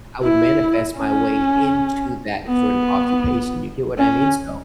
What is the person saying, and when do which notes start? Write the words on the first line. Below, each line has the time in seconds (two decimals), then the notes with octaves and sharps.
I would manifest my way into that sort of occupation, you get what I mean? So,
0.23 E4
0.98 C#4
2.48 B3
3.98 C#4